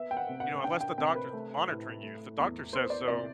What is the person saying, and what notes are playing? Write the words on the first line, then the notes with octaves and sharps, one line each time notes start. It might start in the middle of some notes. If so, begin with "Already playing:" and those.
You know, unless the doctor's monitoring you, if the doctor says so
Already playing: B3 E5
G5
F#5
C3
F#5
D4 G5
G5
C3 G5
B4
A3
A2
A3
E2
B3 C5
D5
C3 D5